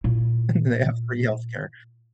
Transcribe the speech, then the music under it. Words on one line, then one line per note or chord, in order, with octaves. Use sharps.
They have free health care.
A#2 E4